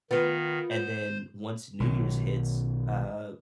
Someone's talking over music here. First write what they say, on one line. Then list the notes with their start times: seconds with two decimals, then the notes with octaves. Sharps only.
and then once New Year's hits, uh,
0.11 D#3 B3 F4 B4
0.70 C5
1.80 B1 D#3 F#3